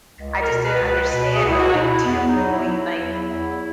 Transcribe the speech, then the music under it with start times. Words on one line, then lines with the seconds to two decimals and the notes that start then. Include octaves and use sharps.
I just didn't understand, but, like, to your point, like,
0.18 C#2
0.41 A#4
0.49 B2
0.64 B4
0.80 C#2
0.87 B4
1.11 B2 B4
1.34 G#4
1.42 C#2
1.48 E4
1.57 F#4
1.73 B2 D#4
1.81 E4
2.04 E2 B3
2.27 D#4
2.35 F#3
2.51 E4
2.66 F#3
2.74 E4
2.97 E2
3.28 E2